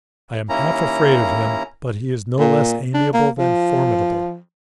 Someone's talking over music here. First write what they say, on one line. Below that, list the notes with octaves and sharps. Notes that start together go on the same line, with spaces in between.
I am half afraid of him; but he is no less amiable than formidable.
D#2 A#3 C#4 E4 A#5
A#2
D4
A#3
F3